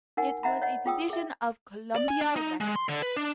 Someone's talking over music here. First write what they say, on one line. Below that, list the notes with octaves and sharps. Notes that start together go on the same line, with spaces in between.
It was a division of Columbia Records.
D#4 A#4 F#5 G#5
C5 D#5 E5 F#5 A#5 B5
C#5 D#5 F#5
F4 G#4 G5 D#6 E6
G#4 E5
D5
G#5
D4
D#4
G#3
C6
D3
B4
D4